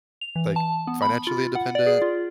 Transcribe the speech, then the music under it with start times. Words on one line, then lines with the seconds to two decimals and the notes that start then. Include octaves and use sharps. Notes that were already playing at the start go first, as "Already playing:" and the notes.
like, financially independent.
0.21 F7
0.36 E3
0.56 A5
0.87 B3
1.02 B5
1.27 F4
1.55 F#5
1.75 D5
1.87 G#4
2.02 F4